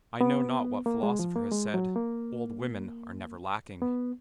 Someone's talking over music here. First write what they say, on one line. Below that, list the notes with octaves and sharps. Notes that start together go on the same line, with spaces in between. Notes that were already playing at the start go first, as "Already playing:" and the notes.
I know not what philosopher has said: "Old women are never lacking."
B3
A#3
G#3
F3
A#3
G#3
F#3
A#3
B3